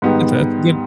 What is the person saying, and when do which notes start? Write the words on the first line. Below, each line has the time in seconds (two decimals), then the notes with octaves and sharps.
That's a that's a good
0.02 G#2 D#3 G3 B3